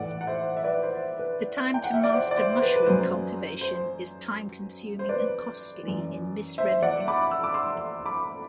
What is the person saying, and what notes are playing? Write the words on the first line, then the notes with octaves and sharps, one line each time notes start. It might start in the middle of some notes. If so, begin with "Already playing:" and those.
The time to master mushroom cultivation is time consuming and costly in missed revenue.
Already playing: A2 E3 D5 F#5
F#5
C5 E5
E5
B4 D5
C5
B4
G5
F#5
E5
D5
C5
D5
C5
C5
B4
B4
F#2 F#3 C5
C5
C5
B4 D5
F#2 E3
C5 E5
D5 F#5
B5 D6
E6
D6
C6 E6
B5 D6